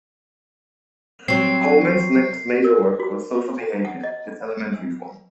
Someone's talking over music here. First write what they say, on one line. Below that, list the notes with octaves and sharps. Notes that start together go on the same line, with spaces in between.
Homans's next major work was "Social Behavior: Its Elementary Forms".
F#3 C4 C7
A#4
F#4
F#5
D#5